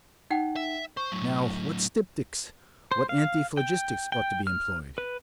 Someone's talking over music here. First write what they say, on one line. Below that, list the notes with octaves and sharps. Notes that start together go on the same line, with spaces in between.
Now, what styptics, what antiphlogistics ought to be employed?
D#4 F#5 G5
E5
C5 C#6
A2 F#3
C5
F5
G5
G5
F6
B4